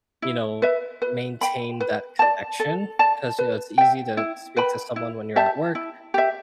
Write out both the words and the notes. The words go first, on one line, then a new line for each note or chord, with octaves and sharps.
you know, maintain that connection. 'Cause, you know, it's easy to speak to someone when you're at work,
E4
B4 E5
B4
G5 B5
B4
D5 A5
A4
D5 A5
B4
E5 G5
E4
B4 G5 B5
E4
G4 E5 A5
E4
G4 E5